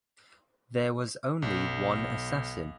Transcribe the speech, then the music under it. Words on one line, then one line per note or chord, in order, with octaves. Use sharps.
There was only one assassin.
B1